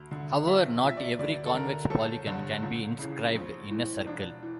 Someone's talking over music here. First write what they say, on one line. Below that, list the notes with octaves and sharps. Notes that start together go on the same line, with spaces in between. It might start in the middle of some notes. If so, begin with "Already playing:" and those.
However, not every convex polygon can be inscribed in a circle.
Already playing: D2
D3
A#1 E5
A#2
E5
D5
E5
D2 D5
A4
D3 A#4
G1 A4
G2 D3
C#2
C#3 E3
A#1
A2 E3
E1 D4
E3